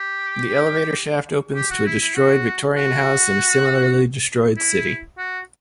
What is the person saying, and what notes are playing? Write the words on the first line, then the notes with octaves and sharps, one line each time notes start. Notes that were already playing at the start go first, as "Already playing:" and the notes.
The elevator shaft opens to a destroyed Victorian house in a similarly destroyed city.
Already playing: G4
G4
F#4
E4
E4
F#4
F#4
E4
F#4